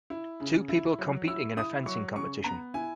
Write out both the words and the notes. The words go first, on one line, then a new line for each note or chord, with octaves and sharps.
Two people competing in a fencing competition.
E4
C#3
E4
F#3
E4 E6
E4 D#6
F#3 C#6
C#3 C#6
B3 A#5
E4 G#5